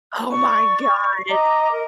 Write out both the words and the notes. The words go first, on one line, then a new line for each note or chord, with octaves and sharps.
Oh my god!
D5 C#6
D#5 A#5 D6
A#4